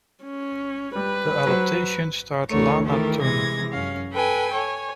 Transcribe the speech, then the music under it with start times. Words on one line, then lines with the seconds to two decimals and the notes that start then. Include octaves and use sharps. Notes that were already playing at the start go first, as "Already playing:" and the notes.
The adaptation starred Lana Turner.
0.24 C#4
0.95 G3 B4
1.47 F#3 C5
2.49 D2 D3 E3 A3 A#4 C#5
2.85 D#3 E3 A3 G4 A#4
3.21 C3 E3 G#3 G#6 A#6
3.72 F#2 C#4 F5
4.13 A4 B4 G5 G#5
4.54 C#5 G#5